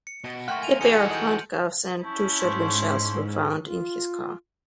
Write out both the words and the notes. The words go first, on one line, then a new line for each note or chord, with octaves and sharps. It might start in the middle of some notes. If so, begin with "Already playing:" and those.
A pair of handcuffs and two shotgun shells were found in his car.
C#7
B2
A3 A#3 F#5 G5 C6 C#6 F6
G#5 D#7 F7
E3 D#4 F#4 G#4 A4 C#7 D#7 F#7
D#5 G6 D7 F#7
C#4 E4 A5 C#6 G6
G#2 C6
F4